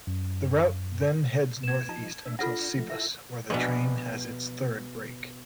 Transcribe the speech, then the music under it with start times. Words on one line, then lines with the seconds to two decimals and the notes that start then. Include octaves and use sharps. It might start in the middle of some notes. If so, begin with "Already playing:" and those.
The route then heads north-east until Sivas, where the train has its third break.
0.07 F#2
1.63 A#2 B3 G#6 E7
1.89 F3 D#4 A5
2.26 D4 E5
2.39 D4 F4 A4 F#5 F6 A#6
2.77 F3 A3
2.90 E4 A4 E5
3.50 A#1 B2 B3 D4